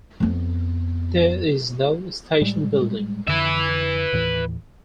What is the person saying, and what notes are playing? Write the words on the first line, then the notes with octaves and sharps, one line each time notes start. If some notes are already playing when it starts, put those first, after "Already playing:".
There is no station building.
F2 B3
A2 G3 G#3
F2 D3 B4 E5
D#2 A2 E3